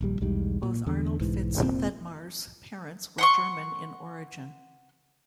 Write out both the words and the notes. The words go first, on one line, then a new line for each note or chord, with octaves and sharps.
Both Arnold Fitz Thedmar's parents were German in origin.
D#1 A#1 G3
B1 E2 G#2 G3
A#2
E2 D3
B1 G#2 E3
F1 A#2 C#3 C4
F#5 C6 C#6